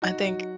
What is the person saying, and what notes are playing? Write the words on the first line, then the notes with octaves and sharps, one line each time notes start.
I think
D#4 F#4
F#3